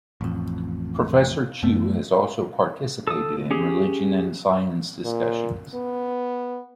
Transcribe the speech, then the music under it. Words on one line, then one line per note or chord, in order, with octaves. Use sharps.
Professor Chew has also participated in religion and science discussions.
A1 F2
F#2 A3 B3
A4 D#6
C#4 G4 G#4
A#2
B3